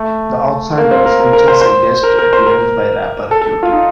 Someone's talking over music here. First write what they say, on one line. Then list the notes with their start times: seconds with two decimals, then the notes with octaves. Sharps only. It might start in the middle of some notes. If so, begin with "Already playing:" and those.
"The Outsiders" features a guest appearance by rapper Q-Tip.
Already playing: A3
0.78 A#3
0.91 C4
1.06 A#4
1.20 A#4
1.33 A#4
1.48 C5
1.61 C5
2.03 A#4
2.19 A#4
2.33 C5
2.46 A#4
3.31 A4
3.41 A4
3.63 F4
3.72 D#4